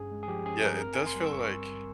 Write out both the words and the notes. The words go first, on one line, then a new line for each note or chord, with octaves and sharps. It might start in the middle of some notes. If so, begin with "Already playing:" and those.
Yeah. It does feel like
Already playing: G2 C#4 G#4
G#3
G#4
F3 G4
C#4 G#4
G2 A#4
C4 A#4
G#1 G#5
C6
G3
E6
G2 C#6
C4
G#1